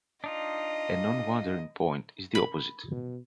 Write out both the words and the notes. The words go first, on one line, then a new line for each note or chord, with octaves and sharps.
A non-wandering point is the opposite.
D4 D#4 F4 D#5
B5
B2